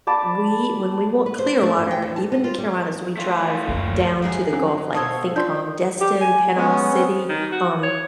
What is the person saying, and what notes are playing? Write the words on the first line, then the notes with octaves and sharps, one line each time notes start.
we when we want clear water, even in the Carolinas, we drive down to the Gulf, like, think, um, Destin, Panama City, um
D5 A5 B5 D6
B4
C5
A3
G2
G5
E2
A5
B3
F4
G3
A3 F4
F#1 D2 A3 F4
G#2 E3 F#3 G#4 A#4
F#3 C4 C#4
B2 C5 C#5 F5 A5 D#6 E6 G#6
C4 D4 F4 D5 G6
G4
G#5
G#3 B3 C#4
C4
D#3
F#4
C#5